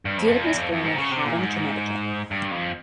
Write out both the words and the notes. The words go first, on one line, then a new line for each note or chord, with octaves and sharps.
Field was born in Haddam, Connecticut.
G2
F2
G2
F2
E2
F2
F2
G#2
C3
C#3
C3
A#2
G#2
G2
F2